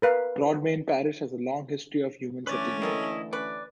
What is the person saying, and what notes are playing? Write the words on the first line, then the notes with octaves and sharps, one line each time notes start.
Broadmayne parish has a long history of human settlement.
A#4 B4 F5
D3 E3 A3 C#4 B4 D5 D6
D#3 A#3 E4 A4 D#5
C#4 B4 D5